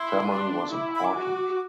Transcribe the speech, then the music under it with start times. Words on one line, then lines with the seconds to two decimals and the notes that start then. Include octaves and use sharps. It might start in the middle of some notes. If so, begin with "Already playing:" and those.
Family was important.
Already playing: E4 C6
0.30 D4
0.73 E4 D6
0.95 B5
1.05 D6
1.16 F#4